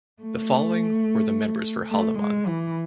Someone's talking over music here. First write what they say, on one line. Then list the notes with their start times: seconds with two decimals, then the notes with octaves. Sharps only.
The following were the members for Haldimand.
0.22 A3
1.90 A3
2.18 G#3
2.46 E3